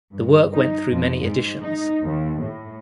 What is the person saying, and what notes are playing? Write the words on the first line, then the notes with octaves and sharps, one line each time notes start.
The work went through many editions.
G2
D#4
F2
G#2
D#4
D#2
A2